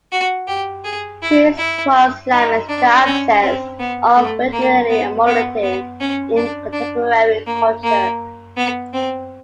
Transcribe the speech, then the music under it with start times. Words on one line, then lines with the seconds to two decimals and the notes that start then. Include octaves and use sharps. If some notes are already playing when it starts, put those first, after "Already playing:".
His prose laments the absence of originality and morality in contemporary culture.
0.12 F#4
0.48 G4
0.84 G#4
1.22 E4
1.58 E4
2.32 D#4
2.69 D4
3.05 C#4
3.42 C4
3.79 B3
4.16 A3
4.53 A#3
4.89 B3
5.27 B3
5.63 B3
6.00 C#4
6.37 D4
6.73 D4
7.47 A#3
7.83 A#3
8.57 B3
8.93 C4